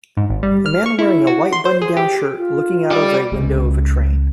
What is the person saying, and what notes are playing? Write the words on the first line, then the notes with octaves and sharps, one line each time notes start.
A man wearing a white button down shirt looking out of a window of a train.
G#2
G#1
G3
F6
C#6
E4
F#4
C6
C5
G#4
G4
F4
G4 D5
C#2